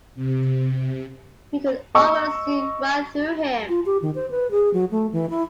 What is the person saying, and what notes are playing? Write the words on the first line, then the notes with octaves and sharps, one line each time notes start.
You could almost see right through him.
C3
D#5 C#6 E6
F4
G4
D#3
C5
B4
G#4
F#3
A3
E3
E4